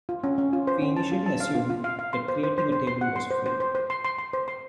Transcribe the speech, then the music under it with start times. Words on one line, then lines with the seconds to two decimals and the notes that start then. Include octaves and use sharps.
We initially assumed that creating a table was free.
0.09 F4
0.24 C#4
0.38 C#4
0.53 F4
0.67 C5
0.82 C#4
0.97 A5
1.12 F4
1.26 A5
1.40 F5
1.55 F4
1.70 F4
1.84 F5
1.99 F5
2.13 C6
2.28 C5
2.43 C5
2.58 C5
2.72 C5
2.87 C6
3.01 F#5
3.16 C6
3.31 C5
3.46 C5
3.60 C5
3.75 C5
3.90 C6
4.05 C6
4.19 C6
4.33 C5
4.48 C6